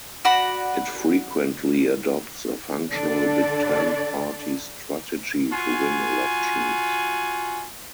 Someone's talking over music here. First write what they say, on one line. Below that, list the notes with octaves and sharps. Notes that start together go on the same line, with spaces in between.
It frequently adopts a functional big tent party strategy to win elections.
F#4 D5 F#5 B5
D3 D4 A4 D5
F4 F#4 G#5